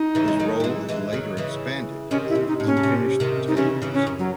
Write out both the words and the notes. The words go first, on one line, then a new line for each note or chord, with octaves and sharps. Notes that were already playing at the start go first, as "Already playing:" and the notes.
His role is later expanded in "Unfinished Tales".
Already playing: D#4
C#3 E3
G#3
D#3 F#3
A3
E3 G#3
E3 G#3
D#3 F#3
C#3 E3
C3 D#3 C#4
E4
C3
D#4
A2
C#4
C#3
C3
C3 D#3
D#4
C#3 E3 C#4
C#3 E3
C#4
F#2
F#3